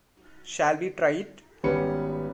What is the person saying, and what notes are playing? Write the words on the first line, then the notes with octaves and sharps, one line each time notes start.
Shall we try it?
G#1 G3 B3 C#4 B4 C#7